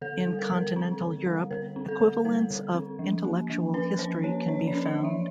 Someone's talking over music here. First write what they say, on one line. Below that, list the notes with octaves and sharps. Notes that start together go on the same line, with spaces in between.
In continental Europe, equivalents of intellectual history can be found.
D3 A4
A4
G3
A#4
D3
A#4
C4
D3
G3
D3 A#4
C4
A4
D3
G3 A#4
D3
C4
F3
A#3
F3
C#4 B4
F3 C5
A#3 C#5
F3 C#5
D5
C#4
D#5
F3
E5